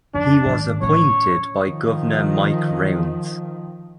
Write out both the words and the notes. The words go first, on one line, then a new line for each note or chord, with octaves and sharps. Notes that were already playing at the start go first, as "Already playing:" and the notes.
He was appointed by Governor Mike Rounds.
F2 D4
G#2 D#3
A2 C#4 C#5
D#3 F3